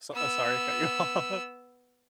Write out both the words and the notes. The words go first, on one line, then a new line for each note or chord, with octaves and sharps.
So, uh, sorry, cut you off.
B3 E6